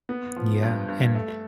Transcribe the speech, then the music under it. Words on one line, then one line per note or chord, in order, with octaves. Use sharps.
Yeah, and
B3
F3
G2
G2
A3